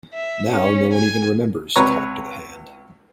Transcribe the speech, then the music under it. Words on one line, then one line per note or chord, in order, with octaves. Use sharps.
Now no one even remembers 'Talk to the hand'.
E5
C#4
G#5
C#2 C3 B4 C#5 A#5 C#6